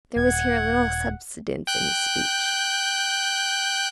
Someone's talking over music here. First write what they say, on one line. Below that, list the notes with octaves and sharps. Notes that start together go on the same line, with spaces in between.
There was here a little subsidence in his speech.
D#1 F#5 G#6
G5 F#6 G6